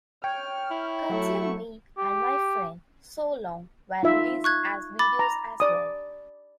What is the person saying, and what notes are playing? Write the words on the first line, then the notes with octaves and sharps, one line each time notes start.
"Consume Me" and "My Friend, So Long" were released as videos as well.
C#5 G5 F6
E4
F#3 A3 C#6
G4
D#4 F4 E5
C#6 F#6 G#6
B5 D6 A6
A#5
D5 D#6